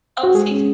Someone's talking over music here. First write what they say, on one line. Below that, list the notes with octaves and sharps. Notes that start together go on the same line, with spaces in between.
Oh, is he
F#4
G#3 G#4
C#4